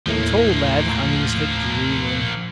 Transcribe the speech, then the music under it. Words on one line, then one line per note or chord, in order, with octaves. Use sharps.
The tall lad hung his head gloomily.
D#2 A2 F3 A3 A#3